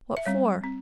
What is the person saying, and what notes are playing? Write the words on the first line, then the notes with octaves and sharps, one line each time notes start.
What for?
E5
G3 C4 C#5
C4